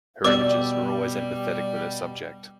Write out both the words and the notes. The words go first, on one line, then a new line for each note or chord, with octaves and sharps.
Her images were always empathetic with her subject.
B2 G3 D5 D6 E6